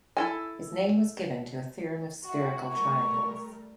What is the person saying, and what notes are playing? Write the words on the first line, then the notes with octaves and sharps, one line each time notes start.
His name was given to a theorem of spherical triangles.
E4 A4 G#5
E4 F#4
G3 A3 A#4 C#6